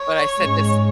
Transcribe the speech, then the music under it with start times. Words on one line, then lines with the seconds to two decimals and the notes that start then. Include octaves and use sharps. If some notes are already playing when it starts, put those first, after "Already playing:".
But I said this
Already playing: C#5
0.40 G#2 G#3 C#4